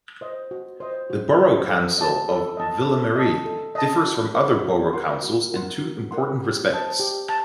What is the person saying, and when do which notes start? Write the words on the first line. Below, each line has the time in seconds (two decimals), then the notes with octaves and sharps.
The borough council of Ville-Marie differs from other borough councils in two important respects.
0.21 C5 D#5
0.51 F#4
0.80 C5 D#5
1.10 F#4
1.39 C5 D#5
1.69 A4
1.98 D#5 A5
2.28 A4
2.57 D#5 A5
2.87 A4
3.16 D#5 A5
3.45 A4
3.75 D#5 A5
4.05 F#4
4.34 A#4 F#5 C6
4.64 F#4
4.93 A#4 F#5 C6
5.22 F#4
5.52 A#4 F#5 C6
5.82 F#4
6.11 A#4 F#5 C6
6.40 G4
6.70 C5 D#5 A5
7.00 G4
7.29 A5